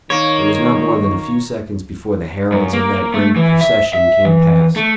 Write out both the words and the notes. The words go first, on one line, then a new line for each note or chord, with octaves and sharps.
It was not more than a few seconds before the heralds of that grim procession came past.
D#3 A#3 C#5
F#2
A#3
A3
E3
E5
E5
E3
A3